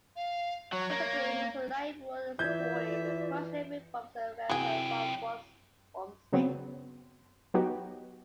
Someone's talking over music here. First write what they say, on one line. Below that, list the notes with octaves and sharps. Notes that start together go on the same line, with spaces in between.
Politically he was a liberal, supporting the Prussian reforms of Freiherr vom Stein.
F5
F#3 C#5
A#3
E3 F4 D5 E5 G6 G#6
F#2 C3 E4 F#4 G#4 B4 G5
C#3 F#3 B3 C4
F#3 B3 D#4 F#4 G4